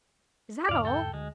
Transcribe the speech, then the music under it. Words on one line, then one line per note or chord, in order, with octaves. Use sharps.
"Is that all?"
E2 G#2 D3 D5 F5
A4 G5
D2 G#3